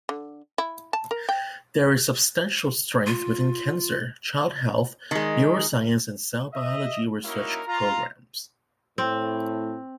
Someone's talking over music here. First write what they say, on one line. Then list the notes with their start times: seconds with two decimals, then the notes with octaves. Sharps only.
There is substantial strength within cancer, child health, neuroscience, and cell biology research programs.
0.09 D3
0.58 E4
0.93 A5
1.11 A#4
1.29 G5
3.07 F4
5.11 D#3 G#3
6.53 D#5 E5
7.24 A#3 C#4 D#4 E4 F#4 A#4
7.66 F4 A#5
8.98 A2 C4